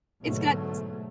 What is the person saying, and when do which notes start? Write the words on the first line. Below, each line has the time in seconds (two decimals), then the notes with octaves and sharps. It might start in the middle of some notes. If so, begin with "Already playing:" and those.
it's got s
0.22 G#2 B2 D3 F#3 A3